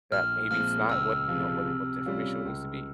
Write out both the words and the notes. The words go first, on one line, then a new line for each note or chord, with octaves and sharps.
That maybe it's not what, you know, what, eh, what the information would need to be.
A#1 F6
A#2 F3 G#3 C4 F6
C#2 E6
C3 F3 G#3
C3
G3 C#4 F4
C#2